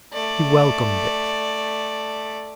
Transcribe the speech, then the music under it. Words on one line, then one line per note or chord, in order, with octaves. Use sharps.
He welcomed it.
A3 D5